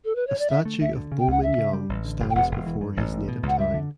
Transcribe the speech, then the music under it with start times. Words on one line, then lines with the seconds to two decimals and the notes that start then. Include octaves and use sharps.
A statue of Bo Min Yaung stands before his native town.
0.05 A4
0.15 B4
0.27 C#5
0.39 D5
0.50 D3 E5
0.65 A3
0.81 D2 E5
0.96 D3
1.12 C#3
1.19 G5
1.27 C#2 F#5
1.42 D2 E5
1.58 C#3
1.73 G3
1.89 A1
2.05 D3
2.20 F#1
2.30 G5
2.35 E1 F#5
2.51 E1
2.66 E3
2.81 G2
2.97 A1
3.13 A2
3.28 B2
3.43 C#2 F#5
3.58 G3 E5
3.74 D3